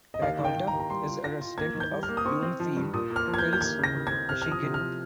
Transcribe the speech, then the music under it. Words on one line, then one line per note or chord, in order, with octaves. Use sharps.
Rakolta is a resident of Bloomfield Hills, Michigan.
D#5
D#2 F5
D#3
G5
D#3
A#5
D#2
A#5
G3 C6
F4
F4 A#6
F4
A#3 G#6
D#3
G6
G3
F6
A#3
D#6
C4 C#6
C4
F3
G2
A#2 D#6
A#3
F6
F3
G#6
G6
A#3
G6
D#2 G#6
C#3
A#6
D#2
G#6
C4
C3 F6
F3 F6
D#6
C3
F6
F3